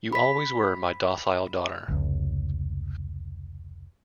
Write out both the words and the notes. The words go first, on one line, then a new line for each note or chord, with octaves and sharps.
You always were my docile daughter.
B5 B6
F1 C#2